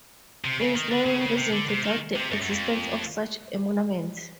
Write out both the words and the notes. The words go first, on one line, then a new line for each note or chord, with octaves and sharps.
There is no reason to doubt the existence of such a monument.
C3
C#3
D#3
D3
C#3
C#3
C3
D3
C3
D#3
C3
F#2
F#2
F2